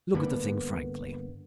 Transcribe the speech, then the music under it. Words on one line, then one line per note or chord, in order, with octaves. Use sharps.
Look at the thing frankly.
G2 D3 A#3 B3